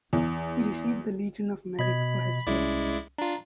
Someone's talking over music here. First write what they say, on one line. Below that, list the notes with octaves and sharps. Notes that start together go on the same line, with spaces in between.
He received the Legion of Merit for his services.
E2
B2 D#5 B5 G#6
C2 G#3 C#4 E4 D5
D4 F4 A#5